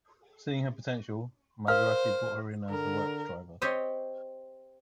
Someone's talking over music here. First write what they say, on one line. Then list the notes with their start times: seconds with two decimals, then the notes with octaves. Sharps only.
Seeing her potential, Maserati brought her in as the works driver.
1.68 A#4 C5 F5 F6
2.70 D3 A#4
3.62 C4 G4 C5 C#5 D#5